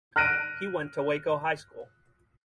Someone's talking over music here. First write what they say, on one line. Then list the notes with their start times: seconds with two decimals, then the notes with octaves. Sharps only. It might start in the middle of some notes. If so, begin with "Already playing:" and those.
He went to Waco High School.
0.16 F6 F#6 A#6 D7 D#7